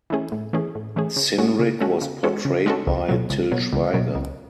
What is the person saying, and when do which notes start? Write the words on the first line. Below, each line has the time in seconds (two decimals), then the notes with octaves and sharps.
Cynric was portrayed by Til Schweiger.
0.10 E3 A3 C#4 G#4
0.32 A2
0.53 E3 A3 C#4 G#4
0.75 A2
0.96 E3 A3 C#4 G#4
1.16 C#3
1.38 G#3 C#4 F#4 A4
1.59 C#3
1.80 G#3 C#4 F#4 A4
2.02 C#3
2.23 G#3 C#4 F#4 A4
2.45 C#3
2.66 G#3 C#4 F#4 A4
2.87 C#2
3.09 B2 F#3
3.30 C#2
3.52 B2 F#3
3.73 C#2
3.94 B2 F#3
4.15 C#2